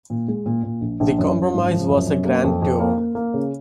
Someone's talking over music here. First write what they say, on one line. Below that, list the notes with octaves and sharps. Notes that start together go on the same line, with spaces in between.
The compromise was a Grand Tour.
A#2
G#3
A#2
A#2
A#1
A#1
F#2
F#2
G#1
F3
F#2
F#2
A#3
F2
F2
A#3
A#3
A#3
C#3